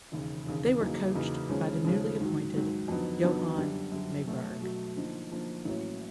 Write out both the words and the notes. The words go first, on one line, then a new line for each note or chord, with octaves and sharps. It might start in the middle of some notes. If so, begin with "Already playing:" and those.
They were coached by the newly appointed Johann Myburgh.
E1 D#2 C#3
E1 D#2 C#3
E2 C#3 F#3 A#3 D#4
E2 C#3 F#3 A#3 D#4
D#2 C#3 F3 G#3 C#4
D#2 C#3 F3 G#3 C#4
G#2 D#3 F#3
G#2 D#3 F#3
F2 D3 F#3 B3 D#4
F2 D3 F#3 B3 D#4
F#2 D3 G3
F#2 D3 G3
B2 F#3 A3
B2 F#3 A3
D3 F3 A#3 D#4
D3 F3 A#3 D#4
A1 A2 F#3 A#3 C#4